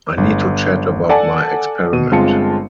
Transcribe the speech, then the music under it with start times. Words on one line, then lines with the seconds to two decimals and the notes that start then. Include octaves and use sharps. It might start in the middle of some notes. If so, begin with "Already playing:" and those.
I need to chat about my experiment.
0.18 G1
1.09 A4 D5 F#5 G#5 A5
1.93 B2 D#7
2.11 G1 G#3 C4 F4 A5 C#7